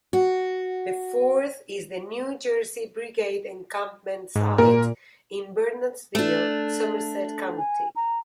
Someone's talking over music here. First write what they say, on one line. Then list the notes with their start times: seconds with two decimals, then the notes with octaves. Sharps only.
The fourth is the New Jersey Brigade Encampment Site in Bernardsville, Somerset County.
0.13 F#4
4.36 G#2
4.58 A#2 A#4
6.15 A3 D4
7.58 G#5
7.96 A#5